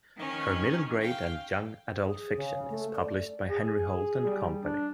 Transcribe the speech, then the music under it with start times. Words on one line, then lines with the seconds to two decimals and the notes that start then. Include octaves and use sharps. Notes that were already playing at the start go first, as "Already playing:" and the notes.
Her middle grade and young adult fiction is published by Henry Holt and Company.
0.16 D#3 C#4 F6
1.00 F5 G5
2.05 G#4
2.37 C#3
2.70 A3
2.95 D5
3.49 G#4
3.78 G#4
4.25 G3
4.60 D4